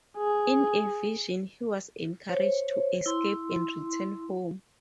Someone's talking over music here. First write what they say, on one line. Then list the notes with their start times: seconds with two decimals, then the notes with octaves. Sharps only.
In a vision he was encouraged to escape and return home.
0.18 G#4
2.29 C5 C#5
3.06 E4 C6